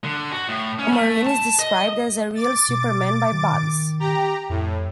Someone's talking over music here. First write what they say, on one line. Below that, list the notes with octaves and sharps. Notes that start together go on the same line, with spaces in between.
A Marine is described as "a real superman" by Bugs.
D3
F#4
A2
C#4
A3
A5
D#5
D6 A6
B2
D#3
G4 A#5
F2 A2